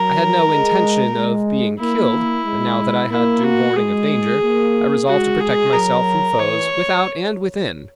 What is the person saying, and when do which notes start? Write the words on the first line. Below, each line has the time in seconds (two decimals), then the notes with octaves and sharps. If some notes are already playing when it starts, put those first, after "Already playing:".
I had no intention of being killed, and now that I had due warning of danger, I resolved to protect myself from foes without and within.
Already playing: F#3 A#4
0.48 G#3
1.14 G#3
1.79 A#3 E4
2.45 G#3
3.10 A#3 E4
3.44 F#4
3.76 G#3 G#4
4.42 A#3
5.08 G#3 F#4
5.40 G#4
5.73 F#3 A#4
6.39 E3 C#5